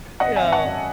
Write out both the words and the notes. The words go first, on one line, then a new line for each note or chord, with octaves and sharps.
you know,
G#1 D#5 F#5
E5 G#5
G#1
F#5 A5
F#2